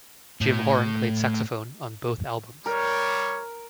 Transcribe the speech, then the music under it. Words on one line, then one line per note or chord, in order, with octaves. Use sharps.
Jim Horn played saxophone on both albums.
A2
G3 A#4 C#5